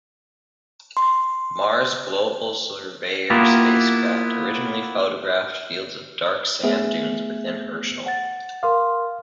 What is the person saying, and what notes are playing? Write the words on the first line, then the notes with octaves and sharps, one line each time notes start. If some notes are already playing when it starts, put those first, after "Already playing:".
Mars Global Surveyor spacecraft originally photographed fields of dark sand dunes within Herschel.
C6
A#3 B3 E4 F4 G4
A3 B3 G#4 E5
F#5 A6
A#4 F5 C6 D6